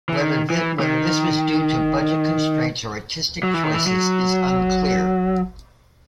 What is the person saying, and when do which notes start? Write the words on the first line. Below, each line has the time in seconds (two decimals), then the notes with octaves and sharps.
Whether this was due to budget constraints or artistic choices is unclear.
0.09 E3
0.20 D#3
0.50 E3
0.80 D#3
3.43 F#3
3.54 E3
3.64 D#3
3.74 E3
3.87 F#3